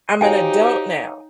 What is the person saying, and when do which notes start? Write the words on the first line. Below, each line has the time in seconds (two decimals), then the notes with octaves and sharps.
I'm an adult now
0.21 D#4 F#4 G4 C5 C#5 F5 G5 G#5